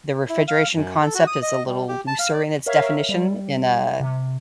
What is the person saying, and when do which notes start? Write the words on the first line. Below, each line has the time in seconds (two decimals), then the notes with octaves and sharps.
the refrigeration concept is a little looser in its definition, in, uh
0.29 E4
0.48 F5
0.75 F#2
1.01 A4
1.15 F#4
1.27 D#6
1.42 D#5
1.66 G3
1.88 G4
2.07 A5
2.19 F5
2.33 D5
2.66 A#4 C#5 E5 F5
3.09 G3
4.00 C3